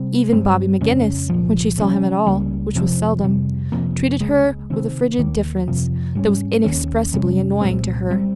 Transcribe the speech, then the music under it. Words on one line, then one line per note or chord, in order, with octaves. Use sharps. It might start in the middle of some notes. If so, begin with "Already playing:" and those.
Even Bobby McGinnis, when she saw him at all--which was seldom--treated her with a frigid deference that was inexpressibly annoying to her.
Already playing: C3 G3 C4
G2 G3 C4
F2 C#3 G#3 C#4
C2 A#2 F3
C3 F3 A#3 C#4
C#2 C#3 G3 A#3
F2 C3 F3 C4
F2 C3 G3
F2 C3 F3 A#3
C#2 C#3 G#3
C3 D#3 G#3 C4
D#2 D#3 A#3
F2 C3 F3
G#2 G3 C#4
D#2 D#3 A#3 C#4
F2 C3 G3 C#4
C2 A#2 G#3 C4
G3 C4